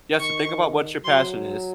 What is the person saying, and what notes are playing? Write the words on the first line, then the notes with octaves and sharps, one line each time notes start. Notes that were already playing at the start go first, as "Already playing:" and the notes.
you have to think about what your passion is,
D#3 C#6
F#3 C6